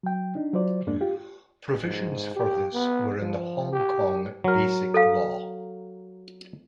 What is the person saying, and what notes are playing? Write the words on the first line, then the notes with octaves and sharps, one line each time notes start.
Provisions for this were in the Hong Kong Basic Law.
F#3 G5
D4 D#4
F#3 F4 C5 D5
F2 G#2 G#3 A#3 D4
F4 G4
G#2
G4
B3
F3
G4
F#3 A#4
A4 F5